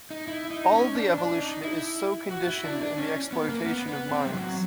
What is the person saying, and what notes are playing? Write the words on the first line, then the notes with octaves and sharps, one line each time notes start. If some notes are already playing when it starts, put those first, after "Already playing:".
All the evolution is so conditioned in the exploitation of mines.
D#4
E4
D#4
C#4
D4
D4
D#4
E4
F#4
E4
D4
D4
C#4
B3
A#3
B3
B3
C4
G3
F#3